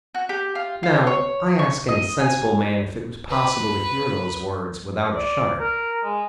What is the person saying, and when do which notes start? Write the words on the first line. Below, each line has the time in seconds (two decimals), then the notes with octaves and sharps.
Now I ask any sensible man if it was possible to hear those words without a shudder.
0.15 F#4
0.29 G4
0.55 F4
0.83 F4
1.07 C#5
1.59 C#6
1.89 D#5
2.20 G#5
3.30 B4
5.15 D5
5.60 A#4
6.04 G#3